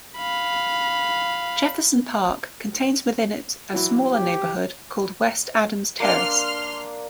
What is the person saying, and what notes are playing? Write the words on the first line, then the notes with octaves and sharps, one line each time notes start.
Jefferson Park contains within it a smaller neighborhood called West Adams Terrace.
F5 B5
E3 F#3 E4
G4
A#3 D4 C6 F6